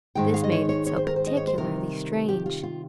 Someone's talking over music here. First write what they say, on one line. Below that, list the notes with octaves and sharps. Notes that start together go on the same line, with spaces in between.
This made it so particularly strange!
G#2 D#3 G#3 D#4 G5
F5
D#5
C#5
C#5
C#5
C5
A#4
C5
D#5
C#5
C5
C3 D#3 G3 A#4
G4
F4
F4